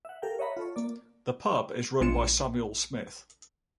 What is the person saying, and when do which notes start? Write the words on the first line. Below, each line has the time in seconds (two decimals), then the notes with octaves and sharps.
The pub is run by Samuel Smith.
0.05 E5 F#5
0.22 G4 A4 A#4 F5 G5
0.39 C#5 D#5 E5 F#5 A#5 B5
0.57 F4 A4 C#5
0.76 A#3 D5
2.01 A#1 G#3 F4 C#7 E7